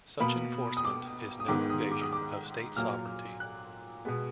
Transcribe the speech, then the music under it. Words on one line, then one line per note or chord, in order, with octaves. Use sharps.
Such enforcement is no invasion of State sovereignty.
B2 A#3 B5
D#6
D6
D#6
G#2 D#3 G#3 B3 D6
D#6
D6
D#6
D6
A#2 F#3 A#3 F6
F#6
B2 G#3 B3